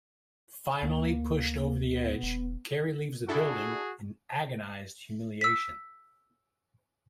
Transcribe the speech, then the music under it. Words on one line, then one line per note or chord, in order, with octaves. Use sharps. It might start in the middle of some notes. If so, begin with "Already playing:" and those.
Finally pushed over the edge, Carrie leaves the building in agonized humiliation.
D2 A#3
B3
E1
D4 E4 F#4 G#4 A4
E6 B6